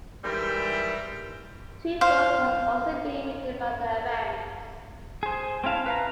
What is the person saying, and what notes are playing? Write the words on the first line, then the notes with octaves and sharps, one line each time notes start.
Two books have also been written about the events.
G#2 E3 G3 A#4 E5 G5
C5 F5
G#4 C5
C4 C#4 E4 F5 A5
B4 F5 A#5